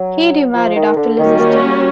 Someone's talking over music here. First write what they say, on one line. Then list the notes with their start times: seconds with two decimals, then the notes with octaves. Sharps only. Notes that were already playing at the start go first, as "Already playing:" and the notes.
He remarried after Liz's death.
Already playing: F#3
0.54 F3
0.76 D#3
0.97 D3
1.19 D#3 G3 A#3 C#4 F#4
1.40 D#3